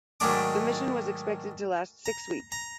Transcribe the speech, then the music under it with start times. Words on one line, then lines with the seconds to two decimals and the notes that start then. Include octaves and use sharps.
The mission was expected to last six weeks.
0.20 G#2 D#3 F#3 A3 D4 D6
2.06 A#5
2.52 A#5